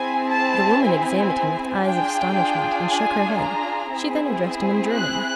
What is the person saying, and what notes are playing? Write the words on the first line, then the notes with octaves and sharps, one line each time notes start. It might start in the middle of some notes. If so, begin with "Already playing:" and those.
The woman examined him with eyes of astonishment, and shook her head; she then addressed him in German.
Already playing: C4 E4 G#4 G#5
A5
G#5
D4 F4 G#4 G5
G#5
A#5
C4 E4 G#4
F#6